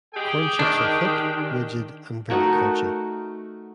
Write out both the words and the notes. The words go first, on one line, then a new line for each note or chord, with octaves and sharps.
Corn chips are thick, rigid and very crunchy.
G4 G#4 G5
D#3 D4
A3 D#4 F#4 A#4